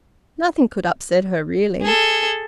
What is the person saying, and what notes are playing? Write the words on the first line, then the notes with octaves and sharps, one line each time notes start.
Nothing could upset her, really.
G#4 A4